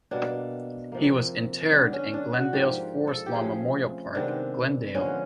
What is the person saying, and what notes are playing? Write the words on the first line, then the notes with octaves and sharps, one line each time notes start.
He was interred in Glendale's Forest Lawn Memorial Park, Glendale.
B2 G3 A#3 D4
C3 F3 A#3
D3 G3 B3 D4
C#4
D4
F#4
G#2 F3 A#3 G4
A4
G4
C#3 F3 A3 C4 G#4
C3 D#3 G#3 B3 D4
D3 F3 G#3 B3 C#4